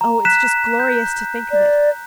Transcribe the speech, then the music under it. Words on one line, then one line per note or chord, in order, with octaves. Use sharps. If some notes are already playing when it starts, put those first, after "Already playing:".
Oh, it's just glorious to think of it.
A#5
F#6 B6 E7
G6
D5